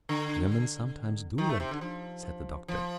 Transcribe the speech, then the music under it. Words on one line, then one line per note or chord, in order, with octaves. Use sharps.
"Women sometimes do that," said the Doctor.
D3
D#3
A3
C3
D3
F3
F3